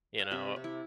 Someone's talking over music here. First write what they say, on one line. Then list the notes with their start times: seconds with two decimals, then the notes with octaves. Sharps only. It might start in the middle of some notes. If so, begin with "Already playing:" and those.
you know?
0.20 F5
0.31 C3 E5
0.56 C3
0.64 E4